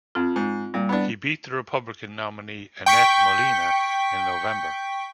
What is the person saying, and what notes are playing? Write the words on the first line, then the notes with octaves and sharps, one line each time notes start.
He beat the Republican nominee Annette Molina in November.
F2 C4 F4
G#2
A#2 G3
B3 D4
G5 C#6 B6